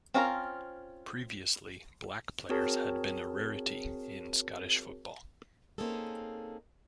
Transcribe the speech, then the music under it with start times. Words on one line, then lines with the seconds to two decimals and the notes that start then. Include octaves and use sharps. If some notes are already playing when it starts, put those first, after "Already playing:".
Previously, black players had been a rarity in Scottish football.
0.14 C4 C#4 F4 A4 A#4
2.49 C4 F#4 G#4 A#4 C#5 A5
5.78 A#3 C4 C#4 D#4 G#4 A4